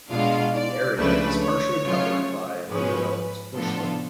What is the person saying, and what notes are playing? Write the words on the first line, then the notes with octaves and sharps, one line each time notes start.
The area is partially covered by undeveloped bushland.
B2 G#3 D4 F4 F5
D5
C#2 C#3 F3 A3 D4 B4
C#5
C#3 F#3 A3 F4
G#2 F3 G#3 C#4 B4
A2 F3 B3 D4 F4 A4